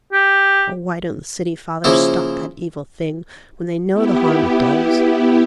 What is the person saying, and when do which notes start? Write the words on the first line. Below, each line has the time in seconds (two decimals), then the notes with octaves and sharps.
Oh, why don't the city fathers stop that evil thing, when they know the harm it does?
0.13 G4
1.84 C#3 F3 A#3 E4
3.93 B3 E4 G4